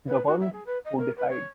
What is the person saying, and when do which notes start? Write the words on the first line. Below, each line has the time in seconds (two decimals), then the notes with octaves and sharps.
The Ones Who Decide.
0.07 B4
0.27 F#4
0.41 E5
0.53 G#4
0.66 B4
0.85 D#5
0.98 A#4
1.17 B4
1.29 C#5